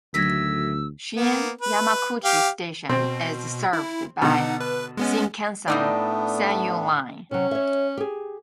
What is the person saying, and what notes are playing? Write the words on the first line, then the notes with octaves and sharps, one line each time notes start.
Shin-Yamaguchi Station is served by the Shinkansen Sanyō line.
D2 D#3 F#3 A3 E6 G#6 A#6 B6
A#3 B3
B4
G4 F5
B2 C4
E4
B2 D3 D#4 F#5
B4
G#3 B3 C#4
A2 A3 B3 D4 D#4 D5
C3 F#3 C#4
C#5 E5
G4 G#4